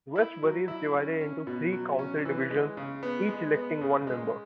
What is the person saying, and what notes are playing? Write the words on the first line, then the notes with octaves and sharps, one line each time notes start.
Westbury is divided into three council divisions, each electing one member.
E4
F#3
E4
C#4
C#4
B2
F#3
C#4
E3
G#3
C#3
B3
G#3
B3
C#3
G#3